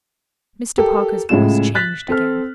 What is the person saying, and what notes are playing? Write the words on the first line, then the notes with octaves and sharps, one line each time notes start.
Mr. Parker's voice changed again.
G4 A4 A#4
A2 C#3 G#3 F4 E7
F#6 A6 B6
C4 A4 F6